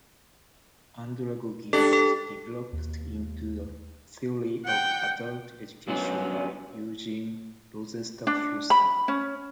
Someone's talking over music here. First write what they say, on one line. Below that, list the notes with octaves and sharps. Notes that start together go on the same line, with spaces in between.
Andragogy was developed into a theory of adult education by Eugen Rosenstock-Huessy.
D4 G4 A4
A4
D#2
F#5 G5
G2 F#3 B3 C#4
D4
B5
C#4